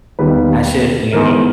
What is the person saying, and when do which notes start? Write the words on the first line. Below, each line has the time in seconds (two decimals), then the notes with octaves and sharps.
I should," you know,
0.19 D#2 D#3 G3 B3 B4
1.13 G#2 E3 G#3 B3 A#4